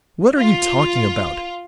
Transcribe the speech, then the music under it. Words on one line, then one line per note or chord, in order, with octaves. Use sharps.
What are you talking about?
F4